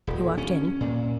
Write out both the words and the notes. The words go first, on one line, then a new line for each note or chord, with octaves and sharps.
He walked in.
D#1
C#4
A#2